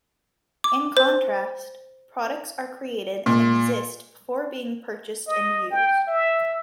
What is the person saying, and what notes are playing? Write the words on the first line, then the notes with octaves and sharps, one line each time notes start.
In contrast, products are created and "exist" before being purchased and used.
D6
C5
A#2
D#5
G5
E5